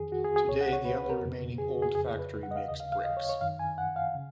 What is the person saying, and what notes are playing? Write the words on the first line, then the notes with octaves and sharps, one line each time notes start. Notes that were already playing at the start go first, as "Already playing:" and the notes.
Today the only remaining old factory makes bricks.
Already playing: F2 D#3 G#4
F#4
G#4
G#4
C#2 C#3 C#5
F#5
C#5
B4
B4
A#4
F2 C#3
G#4
F#4
G#4
F2 C#3 G#4
B4
F#5
D#5
F5
D#2 C#3 D#5
F5
F5
D#5
C#5
C#5
F#2 D#3 F5
G#5
F#5
F5
C#3